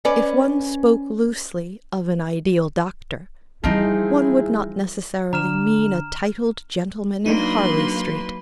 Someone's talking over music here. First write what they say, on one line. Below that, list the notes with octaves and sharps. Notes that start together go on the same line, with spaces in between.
If one spoke loosely of an ideal doctor, one would not necessarily mean a titled gentleman in Harley Street.
C#4 B4 D5
E3 F3 G3 C4 D#4 E4 G#4
D3 A#5 F6 E7
F#3 A#3 D4 D#4 B4 C6